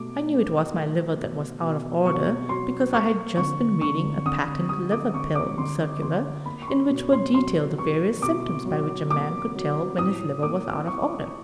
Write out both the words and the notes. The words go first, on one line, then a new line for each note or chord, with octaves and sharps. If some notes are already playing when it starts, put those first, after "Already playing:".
I knew it was my liver that was out of order, because I had just been reading a patent liver-pill circular, in which were detailed the various symptoms by which a man could tell when his liver was out of order.
Already playing: B2 A3 D6
A3
A3
B2
B2
B2 C#6
F#3 C6
A#3 C#6
D3 C#6
D3 C#6
D3 D#6
G3 D#6
D6
D3 C#6
D6
D3 C6
D3 C6
A#3 B5
C#6
C6
B2
C6
F#3 C6
F#3 C#6
B2 D6
F#3
A#3 D6
F#3
A2 D#6
A#3 D6
A#3 C#6